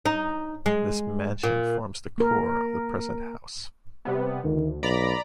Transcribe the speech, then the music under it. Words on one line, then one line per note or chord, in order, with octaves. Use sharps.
This mansion forms the core of the present house.
D#4
G#3
A#2
A#3 A#4
C3 G3 B3
D2 D#3
B1 D5 A#5 B5